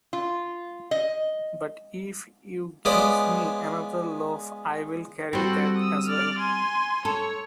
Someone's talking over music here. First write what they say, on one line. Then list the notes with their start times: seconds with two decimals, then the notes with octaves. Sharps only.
But if you give me another loaf I will carry that as well.
0.13 F4
0.91 D#5
2.85 G#3 B3 C#4 F4 B4 D5
5.33 G3 C4 F#4 A4
5.76 D#6 E6
6.06 D5 F6
6.38 G#5 C6
7.05 A4 C#5